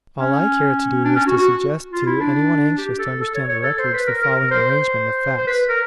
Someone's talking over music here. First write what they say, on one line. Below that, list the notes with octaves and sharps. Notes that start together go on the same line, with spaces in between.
All I care to do is to suggest to any one anxious to understand the records the following arrangement of facts.
C#4
D4
C#4
F#4
F#4
F4
E4
D4
G4
A4
A4
C#5
C#5
A4
C5
B4
A#4
A#4
A#4
C5
C5
C5
B4
A#4